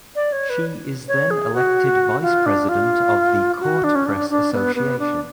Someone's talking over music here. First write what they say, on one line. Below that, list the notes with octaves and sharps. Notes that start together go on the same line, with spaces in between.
She is then elected vice-president of the court press association.
D5
C#5
B4
C#5
G#4
F#4
F4
D4
F4
F#4
D4
C#4
D4
D4
B3
B3
D4